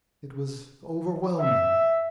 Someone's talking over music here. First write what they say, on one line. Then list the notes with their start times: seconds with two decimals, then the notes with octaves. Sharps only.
It was overwhelming.
1.40 E5